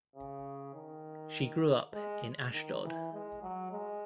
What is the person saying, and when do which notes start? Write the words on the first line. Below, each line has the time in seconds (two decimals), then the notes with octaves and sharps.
She grew up in Ashdod.
0.16 C#3
0.74 D#3
1.93 G#3
2.53 D#3
2.83 E3
3.13 G#3
3.42 F#3
3.71 G#3